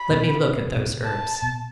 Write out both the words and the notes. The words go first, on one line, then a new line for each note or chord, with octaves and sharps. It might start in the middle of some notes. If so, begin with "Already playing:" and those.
Let me look at those herbs.
Already playing: B5
B2
C3
B2
C3
A5
B2